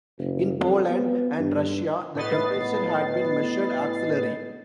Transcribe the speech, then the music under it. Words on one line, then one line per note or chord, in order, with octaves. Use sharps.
In Poland and Russia, the temperature had been measured axillary.
F#1
F2
B3
G2
A2 B3 B4 D#5 A6 C7